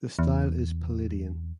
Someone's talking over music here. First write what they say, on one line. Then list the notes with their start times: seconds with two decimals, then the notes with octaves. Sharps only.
The style is Palladian.
0.19 E2